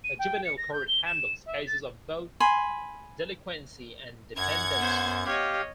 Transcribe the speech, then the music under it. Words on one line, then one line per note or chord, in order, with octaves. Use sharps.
A juvenile court handles cases of both delinquency and dependency.
D#7
G5
C#7
A#6
G6
G7
E7
E5
A6
G#5 B5 C6
F#2 F#5 G#6
B3 C5
G4 C#5 D#5 F5